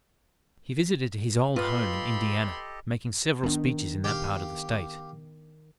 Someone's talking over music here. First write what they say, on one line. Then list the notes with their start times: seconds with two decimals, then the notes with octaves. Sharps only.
He visited his old home in Indiana, making several speeches in that part of the State.
1.56 F4 G4 A4 B4 D#5 B5 C6
3.43 D#3 B3 D4
4.04 G4 F5